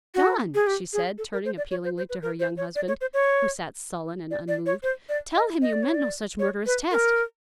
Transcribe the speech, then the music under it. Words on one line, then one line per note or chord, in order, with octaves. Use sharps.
John," she said, turning appealingly to her young husband, who sat sullen and unmoved, "tell him you meant no such murderous test.
F#4
G#4
G4
G#4
A4
A#4
C5
D5
C#5
C5
C5
B4
A#4
C5
C#5
D5
C#5
C5
C#5
D5
D5
C#5
C5
D5
D#5
D#5
D5
C#5
D5
C#5
B4
A#4